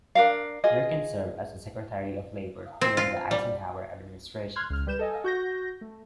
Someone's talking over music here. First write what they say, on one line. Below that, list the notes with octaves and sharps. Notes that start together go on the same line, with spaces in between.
Durkin served as the Secretary of Labor during the Eisenhower administration.
D4 A#4 F5
F4 G#4 D#5
C4
F4
G3
C6 F6 F#6 G#6
C#2 F6
G3 B4 G6 E7
A4 D#5 G#5
F#4 G6 A#6
A3